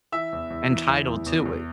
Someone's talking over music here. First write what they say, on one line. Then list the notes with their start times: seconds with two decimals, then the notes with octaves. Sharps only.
entitled to it.
0.12 E3 E5 E6
0.32 E2
0.50 E2
0.69 E3
0.88 E2
1.08 E2
1.26 E2
1.45 E2